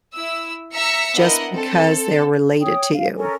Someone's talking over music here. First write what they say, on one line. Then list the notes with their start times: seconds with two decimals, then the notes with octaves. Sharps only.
just because they're related to you.
0.14 E4 E6
0.73 E5 A#5 E6 A#6 B6 C#7
1.15 B3 D4 E4 A#4 D#5 F#5
1.51 C4 A4
2.61 C#5 G5 D#6
2.93 F5
3.17 C#4 A4 A#4 G#5